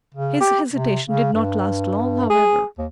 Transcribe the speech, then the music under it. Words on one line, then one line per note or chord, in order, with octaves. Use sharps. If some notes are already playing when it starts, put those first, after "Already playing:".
His hesitation did not last long, however.
C#3
G4
C3
C#3
G2
G#4
D#2